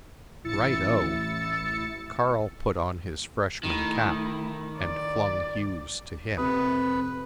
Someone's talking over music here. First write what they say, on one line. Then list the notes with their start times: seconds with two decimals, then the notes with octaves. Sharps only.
"Right-o!" Carl put on his freshman cap and flung Hugh's to him.
0.44 A1 E4 E6 A6 C#7
3.63 D#3 A3 E4
4.76 D5
6.37 F2 C3 B4 D#6